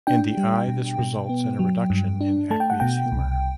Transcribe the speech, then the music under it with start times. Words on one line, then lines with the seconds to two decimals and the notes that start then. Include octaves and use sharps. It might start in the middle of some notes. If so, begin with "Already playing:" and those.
In the eye this results in a reduction in aqueous humour.
0.07 D4 G5
0.37 G3
0.68 B2
0.99 B2
1.29 B3
1.59 F#3
1.90 G2
2.21 D4
2.51 A3 A5
2.60 G5
2.70 F#5
2.80 B2 G5
3.12 C2